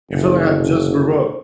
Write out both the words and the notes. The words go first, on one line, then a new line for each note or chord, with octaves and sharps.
it feel like I just grew up,
F#1